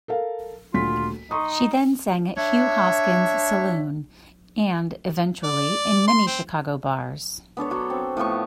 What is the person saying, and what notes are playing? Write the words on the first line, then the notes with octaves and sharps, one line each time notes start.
She then sang at Hugh Hoskin's saloon and, eventually, in many Chicago bars.
A4 A#4 F5
D#1 D2 F4 B6
D#4 C6 C#6 D#6
D4 C#5 E5
D5
C6
C4
B3 D4 A4 C#5
F#3 F#4 C#5
C4
A2 F3 B3 C#6